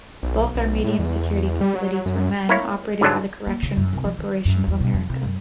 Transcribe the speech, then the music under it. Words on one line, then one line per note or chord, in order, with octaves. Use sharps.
Both are medium-security facilities for men, operated by the Corrections Corporation of America.
B1
B1
A2
E2
G3
F#3
F#2
A#3 E4 C#5
G#2 D3 F#3 A5
A#3
C#3
F#2
C2
F3
D#3
F#2
E2
B2
F2
C3
F#2